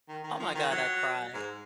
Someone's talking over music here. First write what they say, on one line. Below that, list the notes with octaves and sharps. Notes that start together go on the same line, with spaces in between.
oh my god, I cried.
D#3
D#3
F3
D#3
F#3
G#2